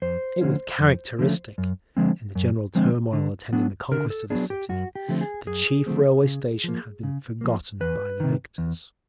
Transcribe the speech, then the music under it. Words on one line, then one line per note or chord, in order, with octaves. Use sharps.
It was characteristic--in the general turmoil attending the conquest of the city, the chief railway station had been forgotten by the victors....
F2 C5
D3 F3 A3 C#4
F2
D3 F3 A3 C#4
F#2
D3 F3 G#3 C4
F#2
D3 F3 G#3 C4
D3
F#3 B3 D4
D3 A#4
A4
F#3 B3 D4 G#4
G4
F#2 F#4
G4
D3 F3 A3 C4
G#4
F#2 G#4
D3 F3 A3 C4
C#3
F3 A#3
C#3
F3 A#3
E2 B4
C3 D#3
E2